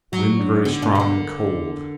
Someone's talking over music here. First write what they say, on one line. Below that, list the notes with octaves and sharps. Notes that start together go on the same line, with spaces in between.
Wind very strong and cold.
F#3 F#4
D4
D3 B3
B2 D4
D#3
D3 D4
A#4